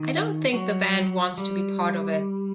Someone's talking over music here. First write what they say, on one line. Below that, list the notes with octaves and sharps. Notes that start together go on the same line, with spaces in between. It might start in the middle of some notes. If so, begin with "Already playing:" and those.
I don't think the band wants to be part of it.
Already playing: D#3
F#3
G3